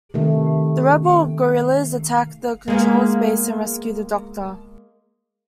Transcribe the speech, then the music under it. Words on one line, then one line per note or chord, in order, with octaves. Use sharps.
The rebel guerrillas attack the Controller's base and rescue the Doctor.
C3 D#3 A3
G#3 A#3 B3